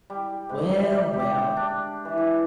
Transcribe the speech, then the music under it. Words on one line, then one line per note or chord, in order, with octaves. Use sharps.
Well, well.
G3
G#2
E5
G4
D4
E3
E3